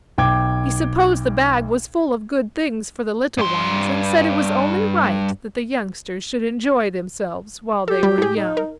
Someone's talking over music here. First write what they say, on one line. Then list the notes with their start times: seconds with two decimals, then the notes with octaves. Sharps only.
He supposed the bag was full of good things for the little ones and said it was only right that the youngsters should enjoy themselves while they were young.
0.18 B1 G5 D6 G#6
3.38 G2 C6
7.88 G4 A4
8.03 G3
8.18 A2 G#4
8.36 D#4
8.57 A#4